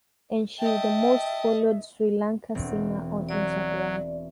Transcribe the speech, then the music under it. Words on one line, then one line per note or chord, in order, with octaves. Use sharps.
And she is the most followed Sri Lanka singer on Instagram.
D#5 E5 G5 A5
E1 C4
F#3 D5